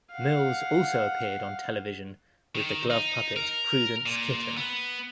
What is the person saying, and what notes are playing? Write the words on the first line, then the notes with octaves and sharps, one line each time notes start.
Mills also appeared on television with the glove puppet "Prudence Kitten".
F5 F#5
D#3
D#4
A#4
A#2
B3